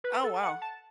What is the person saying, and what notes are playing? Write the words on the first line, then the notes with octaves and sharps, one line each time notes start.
Oh, wow.
B4
A4
F#5
A5